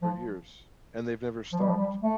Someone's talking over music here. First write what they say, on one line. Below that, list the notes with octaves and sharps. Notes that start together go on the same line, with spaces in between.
for years, and they've never stopped.
F3
F3
G3
F3
G3
A3